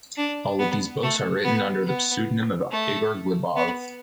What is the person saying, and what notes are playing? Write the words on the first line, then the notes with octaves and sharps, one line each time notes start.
All of these books are written under the pseudonym of Igor Glebov.
D4
B3
A3
B3
B3
A3
B3